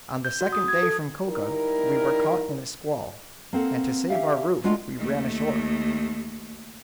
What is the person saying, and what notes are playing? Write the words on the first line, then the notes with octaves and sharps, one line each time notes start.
On the second day from Coca we were caught in a squall, and to save our roof we ran ashore.
G6
F#4
D#6
G#6
A4
G3 D#4 E4 A#4
A#3 C4 A4 F#5
C#4 G4 E5 F5
G#3 A3 D4 F4 F#5
D#2 A3